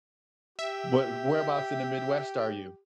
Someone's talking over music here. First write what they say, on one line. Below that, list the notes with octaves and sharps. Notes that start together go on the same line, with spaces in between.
but whereabouts in the Midwest are you?
G4 E5